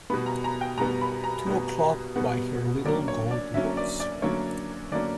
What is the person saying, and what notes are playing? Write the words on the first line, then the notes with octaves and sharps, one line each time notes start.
Two o'clock by her little gold watch.
B2 G3 B3 B5
A#5
A#5
G5
B2 G3 B3 A#5
B5
A#5
B2 G3 B3
B2 G3 B3 F#5
D3 F#3 A#3 C#4 D5
C#5
D5
D3 F#3 A#3 C#4 E5
D5
D5
D3 F#3 A#3 C#4 C#5
D3 F#3 A#3 C#4 D5